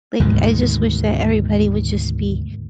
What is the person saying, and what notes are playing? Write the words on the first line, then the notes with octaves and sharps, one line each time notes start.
Like, I just wish that everybody would just be
D2 G#2 B2 D#3